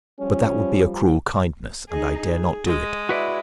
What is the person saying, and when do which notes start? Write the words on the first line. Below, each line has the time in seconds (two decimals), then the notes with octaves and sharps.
But that would be a cruel kindness, and I dare not do it.
0.20 F3 G3 C#4
1.89 D#4 G#4
2.22 G#4
2.66 G#3
3.09 E4 F#4 B4 D5